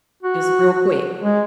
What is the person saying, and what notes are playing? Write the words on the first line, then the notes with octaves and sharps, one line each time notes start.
Just real quick.
F#4
G#3